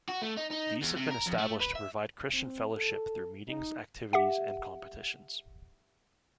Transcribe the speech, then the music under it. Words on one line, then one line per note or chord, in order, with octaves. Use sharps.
These have been established to provide Christian fellowship through meetings, activities, and competitions.
F#4
A3
D#4
D#4
E2
C3
A#4
F2
A3
B4
E5
C4
A4
D#4
G4 E5 F#5